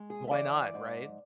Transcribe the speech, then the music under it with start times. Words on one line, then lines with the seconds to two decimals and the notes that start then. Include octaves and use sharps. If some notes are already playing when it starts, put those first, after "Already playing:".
Why not, right?
Already playing: G#3
0.10 G#4
0.27 E5
0.31 E3 D5
0.74 G#2